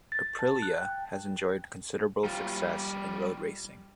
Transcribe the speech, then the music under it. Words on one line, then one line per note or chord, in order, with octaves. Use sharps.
Aprilia has enjoyed considerable success in road-racing.
A6
A5
F#6
G5
G3 F4